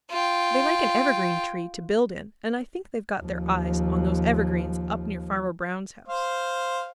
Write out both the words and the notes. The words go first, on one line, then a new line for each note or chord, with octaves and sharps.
They like an evergreen tree to build in, and I think they've got their eyes on those evergreens up near Farmer Brown's house.
F4 G5
D#2 F3
C5 F5